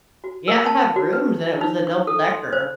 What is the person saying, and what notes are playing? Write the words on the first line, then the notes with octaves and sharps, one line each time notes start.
Yeah, it had rooms, and it was a double decker.
F#4
A#4
A5
F#4
B4
D#4
C#6
A4
C6
C5